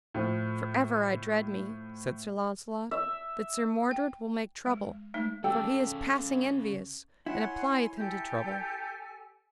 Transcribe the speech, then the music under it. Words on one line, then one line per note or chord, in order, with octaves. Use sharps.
For ever I dread me, said Sir Launcelot, that Sir Mordred will make trouble, for he is passing envious and applieth him to trouble.
A2 F3
E5
G5
G#3
G#3 A3 D#4
C#3 A4 D5 G5
E4 C#5 F#5 G#5 C6
G4 A4 G#5 G6